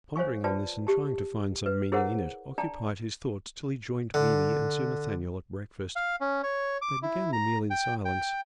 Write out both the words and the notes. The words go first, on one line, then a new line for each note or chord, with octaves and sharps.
Pondering on this and trying to find some meaning in it, occupied his thoughts till he joined Mimi and Sir Nathaniel at breakfast. They began the meal in silence.
C5 C#5 F5 G#5 C#6
F4 B4 D5 G5 A5
G4 A5
B4
E4 G#4 A#4 C5 C#5 F#5
D4 D5 G5 A5 A#5
D3
F5
C#4
C#5
D6
E4
A#5
G5
G5